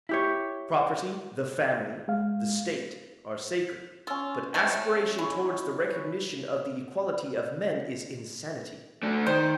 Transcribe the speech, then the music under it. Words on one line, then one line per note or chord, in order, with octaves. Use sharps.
Property, the family, the state, are sacred; but aspiration toward the recognition of the equality of men is insanity.
E4 G4 C#5
G#3 F5
C#4 F4 E6
C3 E3 A3
G#3 E4 C#5
A3 D4
D#3 C5